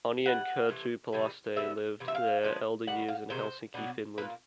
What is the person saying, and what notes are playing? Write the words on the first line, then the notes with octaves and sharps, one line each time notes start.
Onni and Kerttu Palaste lived their elder years in Helsinki, Finland.
E3 G3 F#5
C3 E3 A3
C3 E3 G3
D3 G3 B3 E5
C3 E3
E5
F5
F3 G#3 B3 D4
D#3 G3 F#5
F5
C3 D#3 G#3 C5
B2 F#3 B3 D4
A#2 F3 A#3 B4